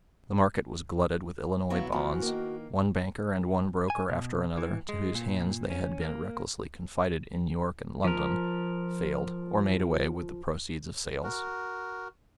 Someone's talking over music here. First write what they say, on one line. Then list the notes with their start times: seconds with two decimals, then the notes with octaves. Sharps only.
The market was glutted with Illinois bonds; one banker and one broker after another, to whose hands they had been recklessly confided in New York and London, failed, or made away with the proceeds of sales.
1.70 F#3 B3 E4 F5
1.92 E3 F3 F#4
2.22 D#3 A#3
3.90 G#5
4.10 B2
4.58 E3
4.89 G#3
5.15 A#2
5.70 C#4
6.01 A#3
8.04 F3 A#4
11.23 F#4 A#4